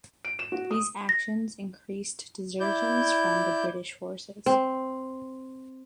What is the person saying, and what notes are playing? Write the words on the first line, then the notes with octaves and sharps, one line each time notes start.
These actions increased desertions from the British forces.
D7
E7
F#4
D#6
A#6
E4 D5 G6
C4